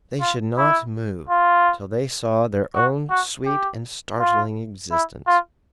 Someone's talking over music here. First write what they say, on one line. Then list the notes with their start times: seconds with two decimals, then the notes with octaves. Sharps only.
They should not move till they saw their own sweet and startling existence.
0.21 F4
0.57 E4
1.29 F4
2.75 F#4
3.10 F#4
3.46 G4
4.19 F4
4.91 E4
5.27 F4